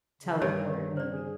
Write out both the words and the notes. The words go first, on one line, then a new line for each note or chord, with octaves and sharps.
teleport, maybe.
C#3
G2 D#3 C#5 D5
C5 D5
G#4